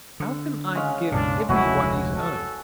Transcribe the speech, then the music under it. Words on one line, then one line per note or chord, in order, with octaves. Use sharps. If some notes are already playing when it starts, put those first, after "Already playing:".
How can I give every one his own!
D3
G#3 C#4 F5
C#2 G2 B2 D4
F1 D2 G#3 E4 F#4 C#5 G#5
A4